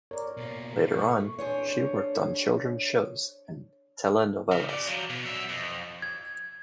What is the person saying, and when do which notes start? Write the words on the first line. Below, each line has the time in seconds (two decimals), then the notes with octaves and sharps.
Later on, she worked on children's shows and telenovelas.
0.11 A#4 C#5 D5
0.37 B2 A#3
0.95 A3 C#6
1.39 D4 G#4 C5 C#5
4.51 C#3
4.69 B2 D5
4.87 F3 F#3
5.10 B2
5.25 F#3 E5
5.49 F2
6.02 G#6